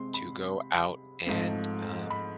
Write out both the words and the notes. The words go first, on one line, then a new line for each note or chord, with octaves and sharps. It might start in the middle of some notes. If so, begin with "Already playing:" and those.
to go out and, um,
Already playing: C3 G#3 C4 C6
B5
G#2 F3 A3 C4
B5